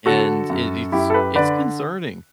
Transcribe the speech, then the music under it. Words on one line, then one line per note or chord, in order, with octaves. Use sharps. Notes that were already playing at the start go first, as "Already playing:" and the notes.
and it it's it's concerning,
D3 F#4 A4
F#2
F#2 E4 G4
A4
G4 B4
D3 B4 D5